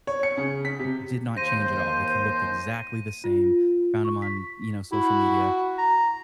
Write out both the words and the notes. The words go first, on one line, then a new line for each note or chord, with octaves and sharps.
w did not change at all. Like, he looked exactly the same, found him on, you know, social media,
C#5
C#7
C#3
B6
C3
D#2 C5 A#6 D#7
F4
C#6
B6
E4 F#4
A#5